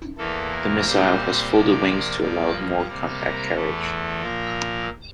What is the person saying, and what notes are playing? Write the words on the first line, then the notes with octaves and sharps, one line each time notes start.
The missile has folded wings to allow more compact carriage.
E2 E3 A#3 A4
A#4
A#2 G3 C4 C5
C3 F3 A#3 D5
G2 F3 A#3 D5
C3 G3 A#3
A#4
E2 E3 A3 A4
A#2 F3 A#3 A#4